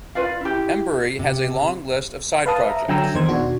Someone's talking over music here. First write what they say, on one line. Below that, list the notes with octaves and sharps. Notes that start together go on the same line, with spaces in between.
Embury has a long list of side projects.
F4 B4 D5 F5
E4 G4
C3
B4 F5 A5 D#6
E5 A#5
D3 F#3 G5 G#5 A#5 E6
E2 D#3 C5 G#6
B2 D4 F#4